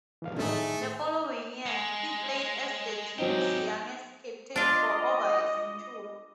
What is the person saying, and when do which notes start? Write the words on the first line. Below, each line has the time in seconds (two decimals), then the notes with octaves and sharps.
The following year, he played as the team's youngest captain for over a century.
0.22 E3 F5
0.39 A2 D#3 A3 D#4 G#4
1.66 G#3
3.18 G#2 F#3 C4 D#4 G4
4.56 D4 F4 D#5